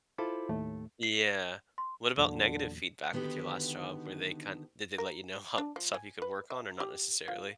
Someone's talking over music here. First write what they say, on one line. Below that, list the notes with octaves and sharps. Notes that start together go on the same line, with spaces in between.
Yeah. What about negative feedback with your last job? Were they kind did they let you know how stuff you could work on or not necessarily?
E4 F4 A4 C5 B5 D6
D#2 A2 A3
C7
C6
E2 A#2 D3 F#3
D3 D#3 B3 F#4 G4
A#4
D4
F3
G#5
B4
E5
G4
F4